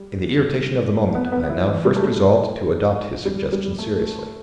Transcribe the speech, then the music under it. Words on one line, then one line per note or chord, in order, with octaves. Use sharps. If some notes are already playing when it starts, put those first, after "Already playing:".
In the irritation of the moment, I now first resolved to adopt his suggestion seriously.
Already playing: G3
B3
B3
E4
E3
G3
A3
G3
G3
G3
A3